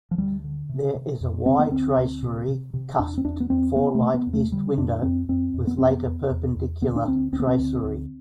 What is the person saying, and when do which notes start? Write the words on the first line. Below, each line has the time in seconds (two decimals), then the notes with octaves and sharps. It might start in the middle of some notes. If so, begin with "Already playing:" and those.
There is a 'Y' tracery, cusped four-light east window with later perpendicular tracery.
0.11 F3
0.18 D2 G3
0.44 D3
0.69 C3
0.95 C3
1.21 F2
1.46 D3 C4
1.59 B3
1.71 D2 C4
1.97 D2
2.23 C3
2.48 C3
2.74 C3
2.99 E2 D4
3.18 C4
3.25 E2 D4
3.40 B3
3.50 E2 C4
3.76 C3 B3
3.95 A3
4.01 C3
4.14 B3
4.27 E2
4.33 A3
4.52 D3 G3
4.77 F2 D4
5.03 F2 C4
5.28 F2 C4
5.54 F2
5.67 B3
5.78 F2 C4
5.90 B3
6.05 E2
6.31 E2
6.56 E2
6.81 D2 B3
6.96 D4
7.07 D2 C4
7.32 D2 C4
7.40 B3
7.47 C4
7.58 D2
7.83 D2